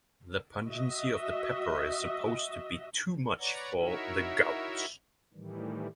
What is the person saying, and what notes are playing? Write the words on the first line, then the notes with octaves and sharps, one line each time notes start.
The pungency of the pepper is supposed to be too much for the gout.
F#4 D#5 E5
B4 C#5 D5 F#5 A#5
D#4 E4 F#4 A#4 C#5 E5
A2 D#3 E3 G3